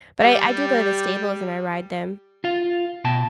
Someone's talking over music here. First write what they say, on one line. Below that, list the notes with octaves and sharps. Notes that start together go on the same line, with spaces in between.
But I I do go to the stables and I ride them
G3 G4
F4 F5
B2 G5 A5